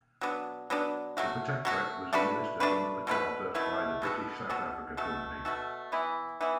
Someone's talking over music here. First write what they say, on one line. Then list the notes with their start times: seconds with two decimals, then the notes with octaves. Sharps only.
The protectorate was administered under charter by the British South Africa Company.
0.21 F#3 B3 D4
0.70 F#3 B3 D4
1.17 F#3 A3 F#4
1.65 F#3 A3 F#4
2.13 A3 D4 F#4 B4
2.60 A3 D4 F#4 B4
3.07 B2 A3 E4 B4
3.54 B2 A3 E4 B4
4.02 B2 B3 F#4 A4
4.49 B2 B3 F#4 A4
4.97 B2 A3 F#4 A4
5.45 B2 A3 F#4 A4
5.92 E3 B3 E4
6.41 E3 B3 E4